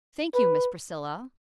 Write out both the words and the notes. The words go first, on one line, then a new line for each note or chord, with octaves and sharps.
"Thank you, Miss Priscilla."
B4